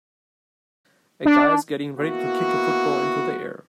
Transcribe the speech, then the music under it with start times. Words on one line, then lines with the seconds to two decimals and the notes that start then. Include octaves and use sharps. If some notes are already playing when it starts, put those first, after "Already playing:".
A guy is getting ready to kick a football into the air.
1.25 D4
1.98 A#3 B3 E4 F#4